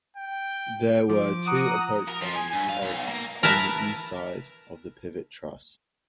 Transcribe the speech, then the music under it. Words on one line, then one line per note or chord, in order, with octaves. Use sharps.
There were two approach spans of on the east side of the pivot truss.
G5
F3 D6
F#5 A#5 D#6
A#4
F3
G#5
G2
F5
B1
A#3
A#4 B4 E5 A5